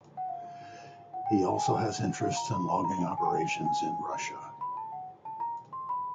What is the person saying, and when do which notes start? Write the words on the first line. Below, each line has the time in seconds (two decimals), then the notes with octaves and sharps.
He also has interests in logging operations in Russia.
0.17 F#5
0.29 F5
1.14 F#5
1.26 G5
1.49 A5
1.57 G#5
1.65 G5
1.74 F#5
2.21 F5
2.37 A#5
2.53 B5
2.69 B5
2.84 A#5
3.00 A5
3.17 G#5
3.25 G5
3.34 G#5
3.65 G#5
4.12 A#5
4.61 B5
4.77 A5
4.92 F#5
5.25 A5
5.40 A#5
5.73 C6
5.89 B5